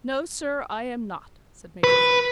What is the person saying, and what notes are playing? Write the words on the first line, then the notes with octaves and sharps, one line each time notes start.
"No, sir, I am not," said Major Flint.
B4